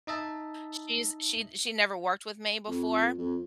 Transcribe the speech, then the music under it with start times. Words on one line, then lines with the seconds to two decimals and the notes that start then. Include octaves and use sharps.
She's she she never worked with me before
0.07 D#4 D#5 E5 A5
2.68 F2
3.18 F2